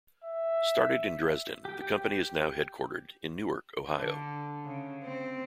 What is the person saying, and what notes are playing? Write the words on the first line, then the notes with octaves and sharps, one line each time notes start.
Started in Dresden, the company is now headquartered in Newark, Ohio.
E5
G4 G5
D3
C#3
C4